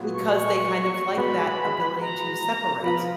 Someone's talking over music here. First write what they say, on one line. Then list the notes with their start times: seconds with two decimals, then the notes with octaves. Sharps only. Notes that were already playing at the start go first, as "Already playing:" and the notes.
because they kind of like that ability to separate.
Already playing: A#2 F#3 B3 F#4
0.13 C#6
0.34 C#6
1.17 G#3 B3 F#4 B5
2.01 A#5
2.83 F3 B3 F4 B5